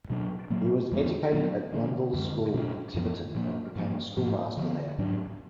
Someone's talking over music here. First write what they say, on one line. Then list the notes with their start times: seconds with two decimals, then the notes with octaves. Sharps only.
He was educated at Blundells School in Tiverton, and became a schoolmaster there.
0.10 B2 F#3 D4
0.50 A#2 F#3 A#3
0.92 F2 F3 G#3 B3
1.32 A#2 F#3 B3 D4
1.73 D3 F3 A#3 D4
2.13 F#2 D3 G#3
2.54 B2 A#3 D4
2.94 F#2 F3 B3
3.35 A#2 F3 A#3 D4
3.76 G#2 F3 A#3
4.16 G#2 F3 A#3
4.57 D3 F3 B3
4.98 G#2 F#3 D4